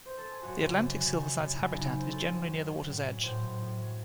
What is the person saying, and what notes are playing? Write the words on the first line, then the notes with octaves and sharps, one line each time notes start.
The Atlantic silverside's habitat is generally near the water's edge.
C5
A4
G#4
F#2 F#4
C#3
F#2
C#3
F#2
F#2
F#2 E4
C#3 D#4
E4
F#2 C5
F#3 A4
F#2
F#3
F#3
A2
F#3
A2 C5
A2
A2
F#3